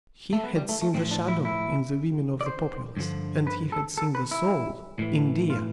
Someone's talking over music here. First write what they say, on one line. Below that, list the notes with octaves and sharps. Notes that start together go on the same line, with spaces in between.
He had seen the shadow in the women of the populace, and he had seen the soul in Dea.
A3
B3
G3
A3
A3
A2 F3 C4
D4
E4
E4
D5
C5
G2 D3 F3
B4
A4
A4
B4
E4
A2 E3
F4